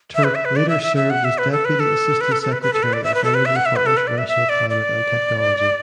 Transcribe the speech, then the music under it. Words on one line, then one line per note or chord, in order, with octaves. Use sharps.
Turk later served as Deputy Assistant Secretary of Energy for International Climate and Technology.
E5
B4
E5
B4
D5
E5
E5
E5
F#5
E5
B4
A4
B4
A4
B4
A4
A4
B4
B4
A4
B4
D5
E5
B4
A4
B4
E5
F#5
E5
B4
A4
B4
D5
E5
E5
D5
D5